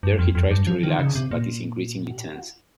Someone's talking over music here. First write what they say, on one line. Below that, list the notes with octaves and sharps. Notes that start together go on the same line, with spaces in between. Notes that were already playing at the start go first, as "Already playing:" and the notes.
There he tries to relax but is increasingly tense.
G2
F2
F2
G2
F3
D#3
C#3
C3
A#2